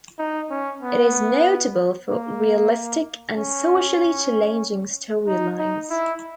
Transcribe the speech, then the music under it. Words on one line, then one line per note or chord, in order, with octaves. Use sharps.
It is notable for realistic and socially challenging storylines.
D#4
C#4
B3
A#3
C#4
D#4
D#4
E4